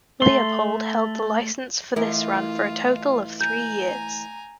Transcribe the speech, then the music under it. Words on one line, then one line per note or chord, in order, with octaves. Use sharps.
Leopold held the licence for this run for a total of three years.
A3 C6
E3 A3 E4 F4 A#4
G#5 A#5 G6